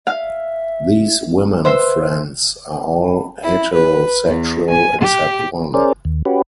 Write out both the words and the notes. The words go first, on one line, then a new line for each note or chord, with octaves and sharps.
These women friends are all heterosexual except one.
E5 F5
B4 C5 E5
E4
B4
E2
G#5
G4
C#4 G#4 A#4 C5 D5
D#2
C#4 F#4 G4 B4